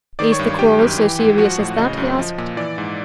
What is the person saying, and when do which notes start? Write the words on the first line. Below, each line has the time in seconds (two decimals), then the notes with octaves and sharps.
"Is the quarrel so serious as that?" he asked.
0.19 D#3 D5 D6
0.32 C#5 C#6
0.39 G2
0.59 D#3 G4 G5
0.79 F#2
0.98 E3
1.19 G#2
1.38 F3 F#4 F#5
1.59 A2
1.78 C#3 D#5
1.98 F#2
2.18 F3
2.38 A#2
2.57 E3 D5
2.78 G#2